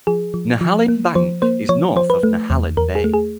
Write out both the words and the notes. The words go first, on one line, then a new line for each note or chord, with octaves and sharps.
Nehalem Bank is north of Nehalem Bay.
F3 G#4
F3
F3
A#3
F3 C5
A#3 C5
F3 C#5
F3 C5
B4
A3
E2
E2 A#4
G#4
A3
G#4